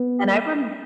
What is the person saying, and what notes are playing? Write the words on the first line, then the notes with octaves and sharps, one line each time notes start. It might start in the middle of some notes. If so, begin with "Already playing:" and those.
And I remem
Already playing: B3
A#3